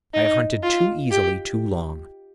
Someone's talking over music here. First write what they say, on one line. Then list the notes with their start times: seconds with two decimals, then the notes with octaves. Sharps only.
I have hunted too easily too long.
0.14 D#4
0.63 F4
1.11 G4